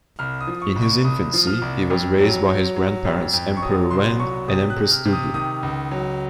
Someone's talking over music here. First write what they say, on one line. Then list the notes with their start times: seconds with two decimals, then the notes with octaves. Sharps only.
In his infancy, he was raised by his grandparents Emperor Wen and Empress Dugu.
0.19 C2 F6
0.41 D#6
0.47 F3
0.62 C#6
0.76 C2
0.83 C#6
1.04 C2 D#6
1.33 F3
1.47 F6
1.62 C2
1.90 F2
2.19 F#3
2.48 F#3
2.76 F#3
3.05 F2
3.33 F2
3.57 C#6
3.62 F#3 D#6
3.91 C2 C6
4.20 F#3 C#6
4.48 C3 D#6
4.70 F#6
4.76 C3
4.91 F6
5.05 C3
5.13 D#6
5.34 D#3 D#6
5.63 C#2
5.91 F#3